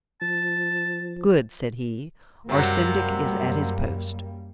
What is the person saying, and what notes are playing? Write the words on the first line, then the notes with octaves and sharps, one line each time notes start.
"Good," said he, "our syndic is at his post."
F3 A5
F#2 C3 F#3 G3 A#3